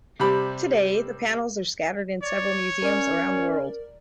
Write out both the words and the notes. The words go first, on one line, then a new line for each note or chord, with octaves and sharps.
Today the panels are scattered in several museums around the world.
C3 G3 B5
C#5 D5
C#4 A#4 D5